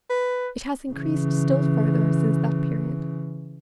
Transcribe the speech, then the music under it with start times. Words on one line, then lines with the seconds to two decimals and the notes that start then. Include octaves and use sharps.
It has increased still further since that period.
0.10 B4
0.91 C#3 E3